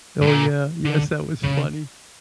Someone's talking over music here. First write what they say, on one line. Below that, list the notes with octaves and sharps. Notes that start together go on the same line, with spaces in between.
Oh, yeah, yes, that was funny.
G2
A#2
D3
C#3